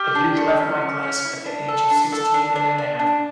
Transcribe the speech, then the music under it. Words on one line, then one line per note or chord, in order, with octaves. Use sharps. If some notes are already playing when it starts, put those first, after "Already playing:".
A youth left my class at the age of sixteen and a half.
Already playing: G4 F6
D4
A3
C#4
C#4
C#4
E4
D4
A4
D4
A4
D4
D4
D4
D4